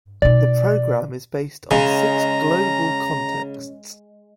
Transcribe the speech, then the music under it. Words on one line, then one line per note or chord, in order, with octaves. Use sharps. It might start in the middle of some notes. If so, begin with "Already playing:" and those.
The program is based on six Global contexts.
B2 D#4 D5
C#3 G#3 C#4 A#5